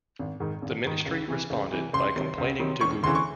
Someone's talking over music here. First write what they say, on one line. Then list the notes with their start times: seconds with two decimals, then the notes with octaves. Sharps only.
The Ministry responded by complaining to Google.
0.19 G#1
0.40 G#2 D#3
0.62 G#1
0.85 G#2 D#3
1.06 C#2
1.28 C3 E3
1.50 C#2
1.72 C3 E3
1.93 C#2 C6
2.16 C3 D#3 F#3
2.38 C#2
2.59 C3 D#3 F#3
2.81 E1 C#6
3.03 D2 C#3 E3 C6
3.15 C#6